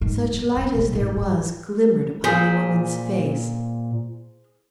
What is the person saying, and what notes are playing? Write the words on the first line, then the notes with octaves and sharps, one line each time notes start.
Such light as there was, glimmered upon the woman's face.
G#2
F#2
F2
A#1
G#1
G#2
A#2 G#4 C5 B5